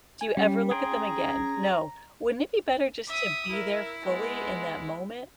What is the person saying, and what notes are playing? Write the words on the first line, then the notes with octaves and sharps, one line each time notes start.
Do you ever look at them again, no, wouldn't it be better just to be there fully in that moment?"
G#5
G3 C#4
G#4 G5 A#5 C6
E5 D#6
E4 A#4 E5
G#3 B3